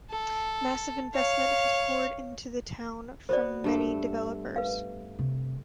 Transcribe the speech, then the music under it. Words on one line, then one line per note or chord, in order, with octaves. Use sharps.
Massive investment has poured into the town from many developers.
A4
C#5 F5
B3 F#4 C5 D5
G2 A3
B4 F5
C3